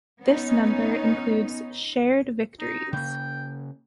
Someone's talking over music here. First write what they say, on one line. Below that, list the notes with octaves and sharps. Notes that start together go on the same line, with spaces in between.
This number includes shared victories.
B3 C#4 D#4
D#4
C#3 A#3 G5